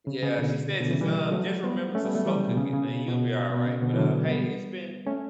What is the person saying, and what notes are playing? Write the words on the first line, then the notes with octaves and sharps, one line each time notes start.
Yeah, she said just, uh, just remember to slow cook it and you'll be all right. But, uh, hey, it's been
C#3
C#3
B2 D3
B2 D3
C#3 E3
E3 G3
F#3 A3
G3 B3
A3 C#4
G3 B3
F#3 A3
E3 G3
C#3
B2
C#3
C#3
B2
B2
B2
C#3
B2 D3
E3
D3 F#3
G3 B3
A3 C#4